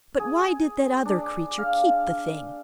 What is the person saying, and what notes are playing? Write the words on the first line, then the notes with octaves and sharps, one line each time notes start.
But why did that other creature keep the thing?
G#4
D4
F5